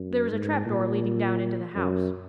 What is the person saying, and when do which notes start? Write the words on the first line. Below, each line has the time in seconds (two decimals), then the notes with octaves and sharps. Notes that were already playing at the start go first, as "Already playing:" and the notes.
There was a trap-door leading down into the house.
Already playing: F#2
0.29 G#2
0.66 A#2
1.76 F#2